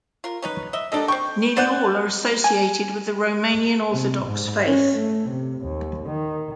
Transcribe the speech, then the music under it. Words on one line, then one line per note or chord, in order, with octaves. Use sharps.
Nearly all are associated with the Romanian Orthodox faith.
F4 A#4
C#4 D#4 B4
D#5 E5
D#3 G3 D4 D#4 A4 D#5
C4 G5 C#6
C5 D5 F#5 F#6 G6 A6
G#5
C3
G#2
C#4
A3
C3
D#2
D#3